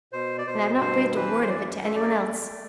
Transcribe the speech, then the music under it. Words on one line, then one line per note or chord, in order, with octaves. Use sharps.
And I've not breathed a word of it to any one else.
B2 C5
D5
B2 C5
G2 C5
E3 B4
C5
F#2 D5
A3 E5
D5
E2